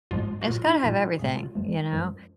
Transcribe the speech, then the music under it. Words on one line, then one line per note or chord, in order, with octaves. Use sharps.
it's gotta have everything, you know,
G#2 F3 G#3 F4
F#4
A#2 F#3 F4
D#4
A#2 F3 G#3 F4
F#4
A#2 G#3 G#4
F4
F#2 F3 G#3
F#2 F3 G#3